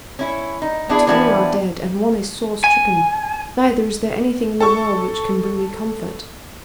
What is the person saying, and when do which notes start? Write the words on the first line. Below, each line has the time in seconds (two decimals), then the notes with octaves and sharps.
But three are dead, and one is sore stricken; neither is there anything in the world which can bring me comfort.
0.19 C#4 E4
0.62 D#4
0.89 B3 D4 E4 G#4
1.07 E3 F3 G3 B3 D4 E4
2.64 G#5
4.60 A4 C#6